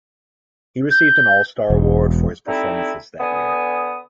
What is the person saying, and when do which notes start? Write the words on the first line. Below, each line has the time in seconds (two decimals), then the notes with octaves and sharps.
He received an All Star award for his performances that year.
0.91 G6
1.70 E1
2.47 G3 A3 C4 D#4 E4
3.20 D3 B3 G#5 D#6